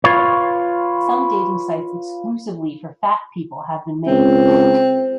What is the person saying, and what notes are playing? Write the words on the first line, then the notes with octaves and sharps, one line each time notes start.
Some dating sites exclusively for fat people have been made.
F4 B4 C#5
C#2 C4